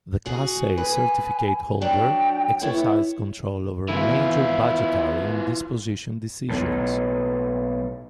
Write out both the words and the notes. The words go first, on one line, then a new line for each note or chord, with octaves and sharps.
The class A certificate holder exercised control over major budgetary and disposition decisions.
F#4 G#4
B4 G#5
F#3 D4 G5
B3 E4 C#5
G#1 E2 E3 E4 F4
B1 A2